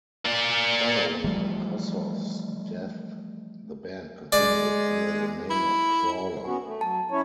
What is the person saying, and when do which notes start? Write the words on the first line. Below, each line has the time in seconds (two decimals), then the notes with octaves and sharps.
Following Kossoff's death, the band continued under the name of Crawler.
0.25 A#3 D5
1.24 E3 F3 G3 A3
4.32 G#3 D5
5.50 E4
6.46 B3 C#4 F#4
6.65 A3
6.81 F#3 A5
7.11 C#4 E4 C#5